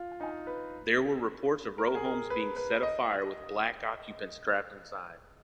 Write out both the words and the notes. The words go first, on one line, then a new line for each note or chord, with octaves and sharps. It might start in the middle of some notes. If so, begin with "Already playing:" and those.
There were reports of row homes being set afire with black occupants trapped inside.
Already playing: F4
D#4
B4
A#4
G#4
A#4
B4
B4
D#5